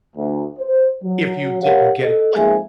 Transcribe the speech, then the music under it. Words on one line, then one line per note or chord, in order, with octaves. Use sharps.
if you didn't get it, like,
D2
C5
F#3
G4 A#4 C#5 F5 F#5
A4 D#5
F2 G#2 A#3 G#4 E5 G#5